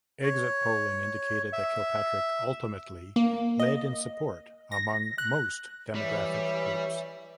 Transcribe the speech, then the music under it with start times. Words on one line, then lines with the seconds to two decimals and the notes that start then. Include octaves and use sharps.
Exit polling indicated that Kilpatrick ultimately led in support among most demographic groups.
0.23 C#5
1.53 E5
3.16 A#3
3.60 D#5
4.72 A#6
5.18 F#6
5.95 E3 G3 C#5 E5